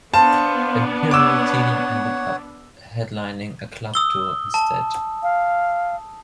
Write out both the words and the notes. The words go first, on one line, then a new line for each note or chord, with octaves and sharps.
Imperial Teen ended up headlining a club tour instead.
B3 D4 C5 F5 A5
C#5 F#5 D6 E6
D#6 E6 G7
A5
F5